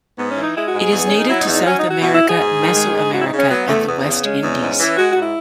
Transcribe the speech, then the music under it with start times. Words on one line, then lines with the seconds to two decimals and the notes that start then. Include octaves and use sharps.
It is native to South America, Mesoamerica, and the West Indies.
0.17 G#2 B3
0.30 C#4
0.35 E3
0.41 D#4
0.55 G#3 E4
0.66 F#4
0.73 G#2
0.79 G#4
0.92 E2 B3
1.06 D#3 C#4
1.17 D#4
1.28 F#3 E4
1.40 D#4
1.46 E2
1.53 D#4
1.64 F#3 C#4
1.78 D#4
1.83 F#3
1.90 F#4
2.01 B2 F#4
2.14 E4
2.21 B2
2.27 G#4
2.39 G#2
2.58 D#3
2.76 G#3
2.94 G#2
3.12 E2 F#4
3.20 E4
3.26 D#4
3.32 C#3
3.37 C#4
3.49 F#3 B3
3.68 E2 A3
3.86 E2 B3
4.06 C#3
4.23 G#3 C#4
4.42 E2
4.61 G#2
4.79 E3
4.97 G#3 F#4
5.10 F#4
5.15 G#2
5.23 E4